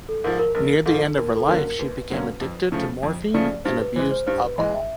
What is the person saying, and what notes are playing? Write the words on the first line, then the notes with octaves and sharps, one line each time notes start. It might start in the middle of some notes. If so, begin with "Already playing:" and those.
Near the end of her life she became addicted to morphine and abused alcohol.
A4
G#2 F3 A#4
A#4
A#1 A#4
G#2 F3 A4
D#2 A#4
A4
D3 F#3 A#3 C#4 A#4
A#4
D#2 B4
D3 F#3 A#3 C#4
F2
C#3 F3 A3
F2
C#3 F3 A3 D5
G2 C5
B4
E3 G#3 C5
C5
G2 C5
B4
E3 G#3 D#5
E5